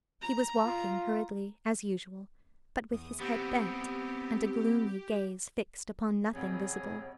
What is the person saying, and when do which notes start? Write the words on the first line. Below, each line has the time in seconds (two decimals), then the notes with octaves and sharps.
He was walking hurriedly, as usual, but with his head bent, and a gloomy gaze fixed upon nothing visible.
0.21 A#5
0.65 F4
2.91 E2 D#6
3.20 B3 C4 G4
6.34 D#1 G#1 F2 G#4 C#5